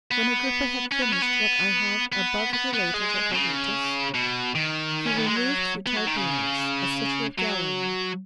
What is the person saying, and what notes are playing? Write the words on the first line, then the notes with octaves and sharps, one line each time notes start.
When Agrippa had finished what I have above related at Berytus, he removed to Tiberias, a city of Galilee.
B3
C#4
B3
C#4
B3
B3
B3
B3
G#3
B2
C#3
B2
D#3
C#4
B3
G#3
F#3
B3
F#3
D#3
C#3
F#3